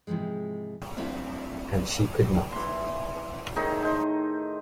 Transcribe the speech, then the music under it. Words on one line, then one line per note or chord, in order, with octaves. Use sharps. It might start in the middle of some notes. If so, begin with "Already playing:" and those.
And she could not.
G#2 C3 E3 F3 G#3
F#3 A3 C4 D4 E4 F4
E3 C6
A2 D#3 D#4 G#4
D#4 C5